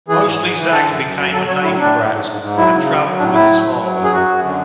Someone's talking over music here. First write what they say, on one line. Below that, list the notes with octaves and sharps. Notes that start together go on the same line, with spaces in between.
Mostly Zack became a Navy brat and travelled with his father.
E3 G#4
G#2
G#2
E3
D3 A4
F#2
F#2
F#3
F#3 A4
F#3 C#5
A2 E4
A2 D4
G#2
G#2
G#2
G#2
F#3 E4
C#3
F#3
F#3
A2 D4
A2 E4
F#3
F#3
F#3
F#2
G#4
F#2 F#4
F#2
D3